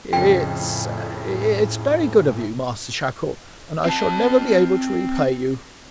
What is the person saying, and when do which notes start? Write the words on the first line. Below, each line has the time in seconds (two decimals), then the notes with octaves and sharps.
"It's--it's very good of you, Master Shackle, and I shall never be able to repay you."
0.13 F2 A2 C#3 G5
3.85 C4 A5